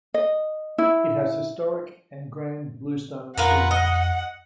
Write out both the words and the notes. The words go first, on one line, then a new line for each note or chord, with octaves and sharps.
It has historic and grand bluestone buildings.
D#5
E4
F2 F4 A#4 B4 F#5
D#5